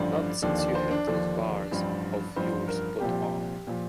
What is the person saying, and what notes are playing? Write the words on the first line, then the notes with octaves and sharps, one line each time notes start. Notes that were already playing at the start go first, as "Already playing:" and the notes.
Not since you had those bars of yours put on.
Already playing: A1 G2 D3 F3 D5
D#2 D3 F3 D5
D5
C5
D4
D#2 D3 F3
A1 G2 F3
A1 G2 F3 C5
A#4
C2 A#2 F3 G4
A#2 F3